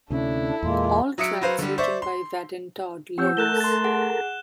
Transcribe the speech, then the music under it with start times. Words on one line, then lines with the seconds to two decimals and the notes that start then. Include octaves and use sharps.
All tracks written by Vaden Todd Lewis.
0.10 D2 C3 C#4 D4 E4 A4
0.63 E2 A#2 G#3 A#3 F4
1.18 F#3 E5 D#6 E6 C#7 D7
1.41 F#3 B4 C5 F5
1.58 D3 G3
1.78 C5 D5 E5 C#6
2.02 C6
3.18 F3 C4 G4 C#5 F#5 E6 G6
3.37 A3 A4 A#4 F#6 E7 G7
3.61 C6 A6
3.84 G#4 F#5